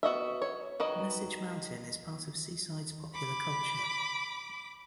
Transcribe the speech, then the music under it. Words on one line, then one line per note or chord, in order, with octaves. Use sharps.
Message Mountain is part of Seaside's popular culture.
B3 F#4 D#5 E5
C#5
D#3 F#4 B4 D#5
B5 D6